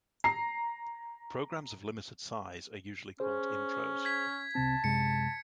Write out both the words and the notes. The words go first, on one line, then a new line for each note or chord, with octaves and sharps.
Programs of limited size are usually called intros.
A#5 C7
C#4 G#4 C5
G#6 B6
C2 C3 C4 A5
F#2 C3 G#3 C#7